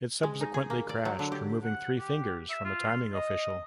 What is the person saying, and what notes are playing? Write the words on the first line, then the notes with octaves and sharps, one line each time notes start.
It subsequently crashed, removing three fingers from a timing official.
G#3
D#4
G#4
A#3
D5
F#3
D3
G4
F#5
G4
E5
F4
D#5